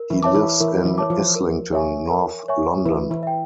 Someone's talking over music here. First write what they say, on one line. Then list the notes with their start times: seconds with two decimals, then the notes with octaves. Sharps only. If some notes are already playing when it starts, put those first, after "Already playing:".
He lives in Islington, North London.
Already playing: A#4
0.10 E3 E4
0.23 C#5 E5 A5 D6
0.35 E3 E4
0.60 E3 E4 A#4
0.85 E3 E4
0.98 C#5 E5 A5 D6
1.10 F3 F4
1.35 A#4
1.73 C#5 E5 G#5 C#6
2.11 A#4
2.48 C#5 E5 G#5 C#6
2.85 E3 E4 B4
3.11 E3 E4
3.23 E5 G5